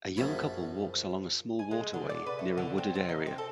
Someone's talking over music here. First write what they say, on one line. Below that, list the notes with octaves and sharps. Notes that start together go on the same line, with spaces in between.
A young couple walks along a small waterway near a wooded area.
A#1 F#2 F3 C#5 B5
G#5
G#3
D3
D5
B4
A3
D3
C4
C4
D#4
C4
A4